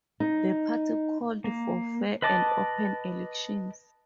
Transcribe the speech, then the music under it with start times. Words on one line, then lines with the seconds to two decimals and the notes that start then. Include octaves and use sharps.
The party called for fair and open elections.
0.20 D#4
1.44 A#3
2.22 B4 D#5 A5 D6